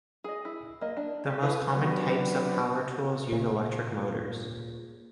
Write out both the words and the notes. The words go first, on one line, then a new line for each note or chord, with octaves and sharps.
The most common types of power tools use electric motors.
G#4 D#5
E4
A#3 D#5
D4
G4
E4 G#4 A4 B4 F5
F#3 B3 D4 F#4 G4 B4
A#2 C#3